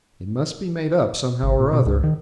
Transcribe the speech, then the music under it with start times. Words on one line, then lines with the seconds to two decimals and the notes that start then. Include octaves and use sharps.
"It must be made up somehow or other."
1.43 G#1
1.60 A#2
1.73 B2
1.86 C#2
2.04 D#3